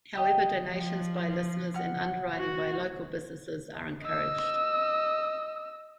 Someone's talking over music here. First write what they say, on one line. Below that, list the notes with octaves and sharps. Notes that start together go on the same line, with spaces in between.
However donations by listeners and underwriting by local businesses are encouraged.
G4 D#5
F3
F#5 F6
F#4
D#5 E6